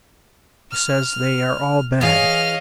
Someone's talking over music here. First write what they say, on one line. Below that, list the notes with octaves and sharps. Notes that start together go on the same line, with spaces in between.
He says they are all bad.
F6
E3 G#4 C#5 D#5 F5 F6